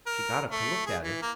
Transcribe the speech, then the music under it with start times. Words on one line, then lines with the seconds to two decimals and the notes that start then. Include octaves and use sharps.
She got up to look at it.
0.06 A#4
0.51 A3
0.86 G#4
1.02 E3
1.22 A#3